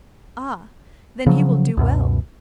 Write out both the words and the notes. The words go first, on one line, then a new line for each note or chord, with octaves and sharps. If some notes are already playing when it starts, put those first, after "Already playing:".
"Ah! then he will do well."
C#3 F3 F#3
C#2 F#2 B2